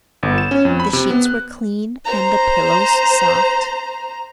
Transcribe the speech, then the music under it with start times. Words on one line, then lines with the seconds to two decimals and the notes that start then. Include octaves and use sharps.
The sheets were clean and the pillows soft.
0.23 G1
0.38 E7
0.51 C#4
0.65 F2
0.80 B5
0.93 C3
1.10 B3
1.25 F#6
2.04 C5 A#5